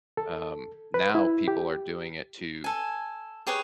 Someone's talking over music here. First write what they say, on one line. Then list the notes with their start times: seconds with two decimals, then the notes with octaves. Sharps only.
Um, now people are doing it to
0.17 A4
0.94 B4
1.15 E4
1.48 G4
2.64 A4 G#5
3.47 G4 G#4 B4 C#5